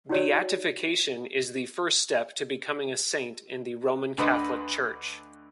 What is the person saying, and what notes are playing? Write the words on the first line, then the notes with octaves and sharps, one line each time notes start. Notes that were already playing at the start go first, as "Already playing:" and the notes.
Beatification is the first step to becoming a saint in the Roman Catholic Church.
D#4 E4 F#4 G4 C#5 D5
D2 D3 B4 D#5 C6